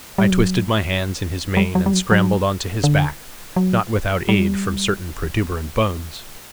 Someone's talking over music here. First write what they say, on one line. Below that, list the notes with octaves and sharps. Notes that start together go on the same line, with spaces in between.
I twisted my hands in his mane and scrambled onto his back, not without aid from certain protuberant bones.
G3
F#3
G3
F#3
G3
F#3
F#3
D3
F#3
G3